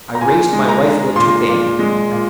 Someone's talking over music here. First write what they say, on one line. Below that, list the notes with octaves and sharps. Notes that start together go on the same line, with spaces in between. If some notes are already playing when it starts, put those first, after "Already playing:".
I raised my rifle and took aim.
A#5
A#2 G#5
G#3
A#5
D4
A#2 C6
A#2
G#3
A#2